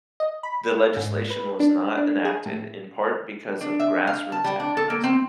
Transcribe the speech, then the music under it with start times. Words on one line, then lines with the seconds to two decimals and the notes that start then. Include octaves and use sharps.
The legislation was not enacted, in part because of grass-roots activism.
0.20 D#5
0.43 B5
0.97 G#2
1.30 B4
1.60 D4
1.97 D4
2.25 G#4
2.46 A2
3.61 D4
3.80 E5
4.07 F5
4.32 A5
4.44 G3
4.60 D4
4.77 A4
4.90 A#3
5.04 C4